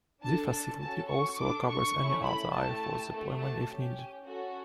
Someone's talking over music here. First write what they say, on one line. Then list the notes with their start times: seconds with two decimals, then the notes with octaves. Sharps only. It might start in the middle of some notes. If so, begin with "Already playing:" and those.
This facility also covers any other Air Force deployment if needed.
0.22 D4 A4 A5
0.51 A5
0.79 C#4 F#4 A4 A5
1.08 C#6
1.37 D4 A4 D6
1.66 C#6
1.95 A3 C#4 E4
2.24 B5
2.52 A3 E4 G4 A5
3.10 A3 D4 F#4 A4
3.39 A5
3.67 C#4 G4
4.25 C#4 F#4 A4